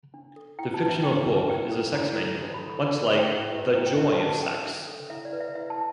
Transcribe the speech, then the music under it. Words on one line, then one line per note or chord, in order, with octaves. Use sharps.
The fictional book is a sex manual, much like "The Joy of Sex".
D4
A4
E4 G5
A5
B4
E5
E4 G5
B4
E4 G5
A4
E4
A4
D4
B5
A4
D6
D4 D6
A4
G5
E4 E5
G4 B4
E4 G5
G5
G4 B4 E5
E5
D4 A5
A4 G5
D4 E5
A4
E4 E5
D5
B4
E5
E4 E5
A5